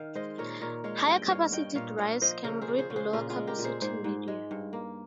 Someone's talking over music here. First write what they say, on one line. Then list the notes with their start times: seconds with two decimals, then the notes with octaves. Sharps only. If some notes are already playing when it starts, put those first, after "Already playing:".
Higher-capacity drives can read lower-capacity media.
Already playing: D#3 F5
0.15 G#3 C5 D#5
0.38 A#2 A#4 C#5
0.61 A#2 A#4 C#5
0.84 G#3 C#5 F5
1.07 G2 D#5 G5
1.30 G2 C#5 F5
1.52 G2 D#5 G5
1.75 A#2 C#5 F5
1.98 A#2 C#5 F5
2.22 F3 C5 D#5
2.44 C#3 A#4 C#5
2.61 G#4 C5
2.68 C#3
2.79 G#4 C5
2.90 C#3
2.96 G#4 C5
3.13 A#2 F4 G#4
3.30 F4 G#4
3.36 G#3
3.47 G4 A#4
3.59 A#2
3.64 G#4 C5
3.81 G#2 G#4 C5
4.04 G#2
4.28 G#3
4.51 G2
4.73 A#3